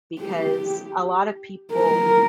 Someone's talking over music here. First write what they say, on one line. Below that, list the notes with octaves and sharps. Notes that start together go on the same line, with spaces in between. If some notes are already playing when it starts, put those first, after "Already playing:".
because a lot of people,
G4
A#4